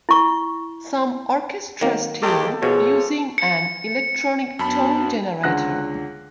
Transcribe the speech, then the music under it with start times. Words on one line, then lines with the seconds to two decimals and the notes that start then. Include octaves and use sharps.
Some orchestras tune using an electronic tone generator.
0.09 E4 C#6
1.81 D#3 F#3 A#3
2.22 D#2 G#3 G4 A4
2.63 B2 F3 G#4 C#5
3.38 C#7
4.59 F#2 B3 D4 F#4 A5 B5
5.43 C#2 D3 F#5 F#6 A#6